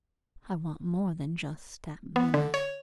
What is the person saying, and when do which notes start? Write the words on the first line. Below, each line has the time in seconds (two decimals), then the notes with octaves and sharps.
I want more than just that money.
2.16 B3
2.34 D3
2.54 C#5